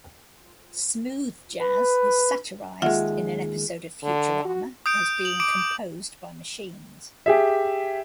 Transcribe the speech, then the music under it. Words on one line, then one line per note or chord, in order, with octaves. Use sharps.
Smooth jazz is satirized in an episode of Futurama as being composed by machines.
B4
D#2 G#3 F4 E5 F#5
D3
F#4
D#6 G6 D7
F#7
D6 D7
G4 G#4 E5